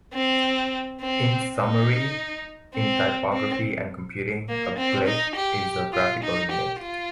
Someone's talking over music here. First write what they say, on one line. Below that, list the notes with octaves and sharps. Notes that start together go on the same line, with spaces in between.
In summary, in typography and computing, a glyph is a graphical unit.
C4
C4
D#4
C4
C4
A#3
C4
D#4
G4
F4
D#4
G4
F4